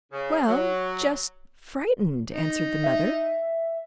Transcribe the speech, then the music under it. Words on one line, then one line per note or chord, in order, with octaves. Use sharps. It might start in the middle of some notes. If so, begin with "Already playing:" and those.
'Well--just frightened,' answered the mother.
C#3
F#3
D#4
E5